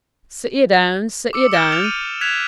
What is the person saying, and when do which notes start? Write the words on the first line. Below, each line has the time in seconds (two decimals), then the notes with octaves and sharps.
'Sit ye down, sit ye down.
1.33 D6 E6 C#7
1.53 F6 G6 C#7 D7 E7 G7
1.72 A6 F7
1.84 D#7
2.21 F#6 G#6 B6 E7 F7